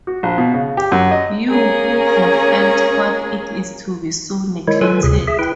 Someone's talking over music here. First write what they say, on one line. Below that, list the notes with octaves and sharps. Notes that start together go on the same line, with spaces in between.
You who have felt what it is to be so neglected!
F#4
A#1
B2
C#3
G4
F#2
D#5
A#3 C#4 G#4 A#4
D#3 G#3 E4 C#5
F#3 F4 A4 B4 G#5
D2 C3 G#4
G#4 E5
E4 B4 G5